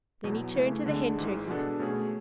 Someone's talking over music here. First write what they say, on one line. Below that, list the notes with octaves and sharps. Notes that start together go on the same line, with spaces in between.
Then he turned to the Hen Turkeys.
E2 B2 F#3
C#3 E3 A3
D2 D3 G#3 D4
G#1 G#2 E3 G#3
B2 G#3 B3 D4 A4
B2 A3 C#4 G#4